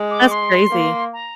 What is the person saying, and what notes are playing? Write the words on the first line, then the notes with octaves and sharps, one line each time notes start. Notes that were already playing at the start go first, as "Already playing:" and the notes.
That's crazy.
Already playing: G#3
D6
C6
A#3
A#5